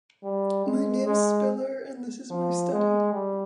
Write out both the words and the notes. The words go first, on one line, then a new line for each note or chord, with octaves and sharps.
My name's Spiller, and this is my study.
G3
G#3
G#3
F3
G#3
G3